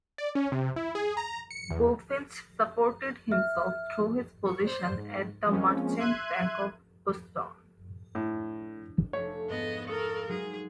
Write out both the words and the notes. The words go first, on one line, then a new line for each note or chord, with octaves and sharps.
Bulfinch supported himself through his position at the Merchants' Bank of Boston.
D5
C#4
C3
E4
G#4
A#5
C#7
E2
E5 F6
C#6
C5 D5
G#2
F3 G#3 A#3 C4 C#4
E5 C6 F#6 G#6 D#7
A2 D4
F1 A3 C#5
G#2 B3 D#5
A4 A#4 F5 C#6 D#6
F#3 G#3 D#4 G#4